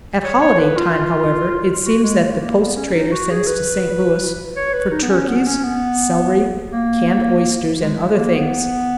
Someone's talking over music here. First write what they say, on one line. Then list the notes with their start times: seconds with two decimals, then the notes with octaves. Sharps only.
At holiday time, however, it seems that the post trader sends to St. Louis for turkeys, celery, canned oysters, and other things.
0.24 C#5
0.41 C#5
0.60 B4
0.77 F4
1.85 F#4
2.03 G#3
2.39 A#3
2.65 B3
2.76 C#4
2.93 D#4
3.12 F#4
3.30 G#4
3.47 B4
4.57 C#5
4.74 B4
4.92 D#4
5.02 B3
5.09 C#4
5.28 B3
5.46 C#4
5.64 B3
6.72 A#3
7.80 G#3
7.98 G#3
8.16 A#3
8.35 B3